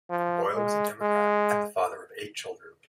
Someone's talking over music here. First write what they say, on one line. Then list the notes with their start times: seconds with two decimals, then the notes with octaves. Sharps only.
Boyle was a Democrat, and the father of eight children.
0.10 F3
0.55 G#3
1.01 G#3